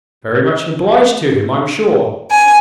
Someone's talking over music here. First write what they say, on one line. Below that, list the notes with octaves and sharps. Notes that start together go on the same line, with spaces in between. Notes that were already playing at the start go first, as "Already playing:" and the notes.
'Very much obliged to him, I'm sure.
G#5